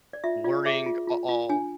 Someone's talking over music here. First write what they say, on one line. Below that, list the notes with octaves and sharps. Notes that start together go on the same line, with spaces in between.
learning a all
D5
F4 E5
F4 D5
G#4 E5
F4
F4
F4
D4 G#5